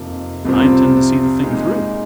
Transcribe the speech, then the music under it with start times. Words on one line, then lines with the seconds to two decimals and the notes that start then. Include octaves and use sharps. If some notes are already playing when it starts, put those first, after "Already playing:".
I intend to see the thing through.
Already playing: F2 C3 F3 A#3 D#4
0.45 C2 C3 F3 C4
1.43 A#2 G#3 D#4